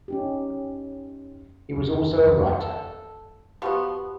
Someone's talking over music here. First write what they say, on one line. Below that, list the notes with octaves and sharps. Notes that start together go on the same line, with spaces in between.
He was also a writer.
C#4 D#4 G4
A4
B2 F3 B3 G4 F5 C#6